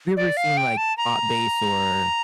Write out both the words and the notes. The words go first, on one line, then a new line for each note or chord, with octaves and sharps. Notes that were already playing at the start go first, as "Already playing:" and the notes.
have you ever seen, like, Pop Bass or
D5
F5
G5
A5
A#5